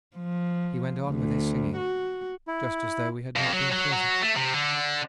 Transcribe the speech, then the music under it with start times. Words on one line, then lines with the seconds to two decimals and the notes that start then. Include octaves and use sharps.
He went on with his singing, just as though we had not been present.
0.17 F3
1.08 D2
1.77 F#4
2.48 E4
3.36 F2
3.53 F#3
3.73 F#3
3.93 F#3
4.22 A3
4.37 C3
4.54 D3